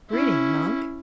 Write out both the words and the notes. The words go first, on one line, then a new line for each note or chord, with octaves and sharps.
'Greeting, monk.
C#4 E4